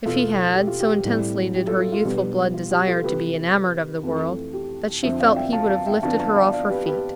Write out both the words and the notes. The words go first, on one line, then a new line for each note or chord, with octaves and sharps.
If he had, so intensely did her youthful blood desire to be enamoured of the world, that she felt he would have lifted her off her feet.
E2 B2 A3 F4 A4
G4
F4
G4
A2 G3 C4 E4
G4
F4 A4
F4
F4
B2 G3 B3 D4 G4
F4
G4
F4 A4
C3 F3 A3 G4 B4
F2 E3 A3
G4
F2 D3 F3 C4 C5 E5
D5 F5
E5 G5
F5 A5
F5 A5
E5 G5
F2 D3 F3 B3 D4 F5 A5
F5 A5
D5 F5
D5 F5
G4 B4
G4 B4